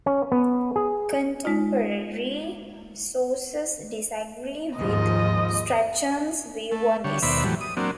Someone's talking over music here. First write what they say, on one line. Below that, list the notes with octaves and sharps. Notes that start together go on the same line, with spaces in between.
Contemporary sources disagree with Strachan's view on this.
C#4
B3
G#4
G#3 D#4 F4
D#2 G#2 F3 D#5
A3
D3 G3 C#5
D#2 B2 C5 D5 E5 B5
A2 E3 F#3 G3
D#6
F#3 A#3 C4 D4